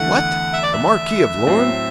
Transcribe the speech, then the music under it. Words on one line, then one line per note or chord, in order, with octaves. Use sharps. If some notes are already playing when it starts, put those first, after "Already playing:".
'What! the Marquis of Lorne?
Already playing: E2 D3 A3 F#5
E5
D5
E5
A2 F#3 C4